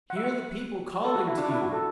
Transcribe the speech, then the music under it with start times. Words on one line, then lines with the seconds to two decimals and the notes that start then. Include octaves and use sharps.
"Hear the people calling to you!"
0.10 F#5
0.16 E5
0.24 F#5
1.04 A4
1.16 F#4
1.27 E4
1.38 D4
1.49 E4
1.61 F#4
1.73 A4